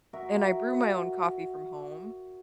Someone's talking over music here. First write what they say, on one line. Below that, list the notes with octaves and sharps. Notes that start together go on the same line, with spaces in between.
And I brew my own coffee from home.
F#4 A#4 E5